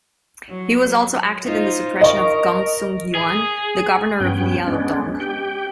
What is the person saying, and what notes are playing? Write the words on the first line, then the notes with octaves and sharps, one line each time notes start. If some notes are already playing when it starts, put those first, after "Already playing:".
He was also active in the suppression of Gongsun Yuan, the governor of Liaodong.
F#3
D#4 F4 C5
A#4 D#5 C#6
G#4
G2 B3 C#4 G5
G#3 B3 C#4 D4
G4 G5